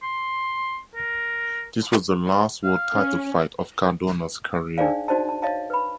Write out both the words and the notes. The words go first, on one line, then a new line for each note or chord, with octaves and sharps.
This was the last world title fight of Cardona's career.
C6
A#4
F5
C#4
D4 D#4 G#4 C5 D5 F5
D#4 F#4 C5 D5 D#5 A5
A5
C#5 D#5 F5 A5
B4 B5